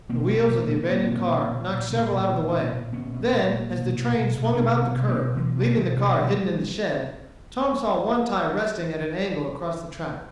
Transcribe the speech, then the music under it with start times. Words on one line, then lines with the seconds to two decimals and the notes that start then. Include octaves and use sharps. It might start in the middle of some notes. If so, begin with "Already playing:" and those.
The wheels of the abandoned car knocked several out of the way; then, as the train swung about the curve, leaving the car hidden in the shed, Tom saw one tie resting at an angle across the track.
0.09 B2 A#3 C4
0.29 B2 A3 B3
0.50 A#2 A#3
0.59 A3
0.68 A#2 G#3 A#3
0.90 A#2 A#3 C4
1.11 A#2
1.31 A#2
1.51 A#2
1.71 A#2
1.91 A#2
2.12 A#2
2.32 A#2
2.52 A#2
2.73 A#2
2.93 A#2 B3 C#4
3.13 A#2
3.34 A#2
3.53 A#2
3.73 B2
3.94 B2
4.14 B2
4.35 B2
4.54 B2 C4 D4
4.75 B2
4.81 B3 C#4
4.95 B2
5.08 A#3 C4
5.15 B2
5.35 B2 E3 F#3
5.56 B2
5.76 B2 D#3 F3
5.96 B2
6.16 B2 F#3 G#3